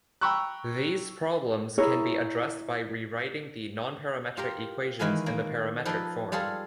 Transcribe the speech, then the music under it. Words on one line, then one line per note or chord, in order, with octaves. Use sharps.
These problems can be addressed by rewriting the non-parametric equations in parametric form.
G5 A#5 B5 C#6 E6 F#6
E4 G#4 A#4 C#5
F4 G4 A#4
D#3 E3 G#3 B4 F5 G#5
A#3
F3 D#4 G#4 A4 B4 D5
G3 F4 G#4 A4 F5